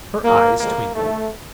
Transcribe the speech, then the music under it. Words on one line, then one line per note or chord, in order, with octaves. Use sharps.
Her eyes twinkled.
G#2 D#3 F#3 A#3
D2 D3 F3 G#3 A#3
D#2 D3 F3 A3